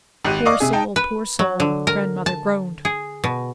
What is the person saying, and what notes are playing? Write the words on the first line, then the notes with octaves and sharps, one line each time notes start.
"Poor soul, poor soul!" grandmother groaned.
G#1 G4 F#6 D#7
D5 D#5 F5 C#6 D6
C3 G#4
D#4 G5 A5
B4
F#3
D3
A#4
A5
G#4
B2